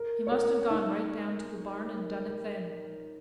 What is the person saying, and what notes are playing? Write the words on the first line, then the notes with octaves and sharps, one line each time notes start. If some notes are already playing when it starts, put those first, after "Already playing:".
He must have gone right down to the barn and done it then.
Already playing: A#4
C#5
A#4
D#4